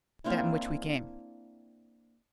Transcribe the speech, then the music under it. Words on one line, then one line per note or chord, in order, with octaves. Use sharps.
"That in which we came."
A#3 C4 D4 E4